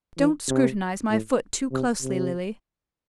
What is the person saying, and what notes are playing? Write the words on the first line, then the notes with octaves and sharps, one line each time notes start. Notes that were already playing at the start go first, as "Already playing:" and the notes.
"Don't scrutinize my foot too closely, Lily."
E3
C3
A2
C3
C3